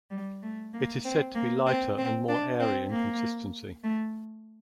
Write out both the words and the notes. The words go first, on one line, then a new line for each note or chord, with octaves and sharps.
It is said to be lighter and more airy in consistency.
G3
A3
A#3
C4
A#3
C4
C4
D4
C4
A#3
A3